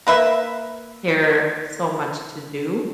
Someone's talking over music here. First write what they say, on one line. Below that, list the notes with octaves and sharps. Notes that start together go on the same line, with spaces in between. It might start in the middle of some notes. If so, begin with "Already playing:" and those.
care so much to do,
A#3 B4 E5